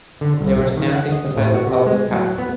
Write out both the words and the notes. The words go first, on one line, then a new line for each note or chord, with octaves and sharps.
They were standing beside the public path.
D3
C2
B1
D#3
F#5
D#5
A2
F#4
C3
G#3
F#3
B3